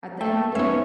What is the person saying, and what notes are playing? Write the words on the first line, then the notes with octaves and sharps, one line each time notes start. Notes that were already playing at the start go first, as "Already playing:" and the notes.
at the end of the day,
A3 G5
G#3 B3 C#4 D#4 E5